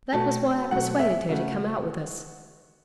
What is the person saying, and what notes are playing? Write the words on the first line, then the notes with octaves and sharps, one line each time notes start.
That was why I persuaded her to come out with us.
B2 A3 A5
B2 F#3 A3 F#5
E5
C#3 A3 F#4